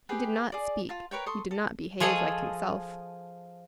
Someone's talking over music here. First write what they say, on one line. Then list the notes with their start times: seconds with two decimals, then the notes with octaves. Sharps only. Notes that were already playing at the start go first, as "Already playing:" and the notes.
He did not speak, he did not behave like himself.
0.09 G4 G#4 B4 G5
0.52 G#4 D5
0.89 F4 A5
1.11 A#4 B4 C#5 G5
1.26 A4 C6 C#6 D#6
1.51 A4
2.00 F3 G#4 A4 C#5 D#5